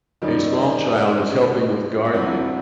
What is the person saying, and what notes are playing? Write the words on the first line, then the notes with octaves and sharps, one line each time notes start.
A small child is helping with gardening.
F#2 D#3 G3 D#4
G2 F#3 C4 E4